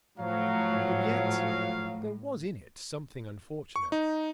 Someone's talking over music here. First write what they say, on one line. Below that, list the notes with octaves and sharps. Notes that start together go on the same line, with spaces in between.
But yet there was in it something unfortunate.
A2 F3 F#3 C#5 F5
C#6
D#4